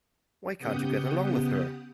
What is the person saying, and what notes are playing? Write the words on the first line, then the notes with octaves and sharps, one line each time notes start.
Why can't you get along with her?
C#3 B3 G4 F#5 D#6 G6